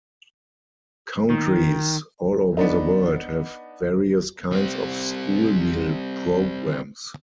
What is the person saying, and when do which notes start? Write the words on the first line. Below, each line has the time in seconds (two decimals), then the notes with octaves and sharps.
Countries all over the world have various kinds of school meal programs.
1.30 D#3
2.57 B3 D4 D#4
4.52 G3 C4